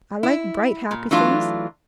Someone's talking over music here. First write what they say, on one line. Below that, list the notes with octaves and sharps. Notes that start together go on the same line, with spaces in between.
I like bright, happy things.
E4
A#2
E3 F#3 A3 D4 F4